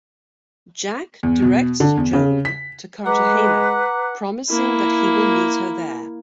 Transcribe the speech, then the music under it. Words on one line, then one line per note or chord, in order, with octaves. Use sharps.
Jack directs Joan to Cartagena, promising that he will meet her there.
E2
B2
D3
E2
C#3
B6
G#3 B4 F#5 A#5 D6
A#3 E4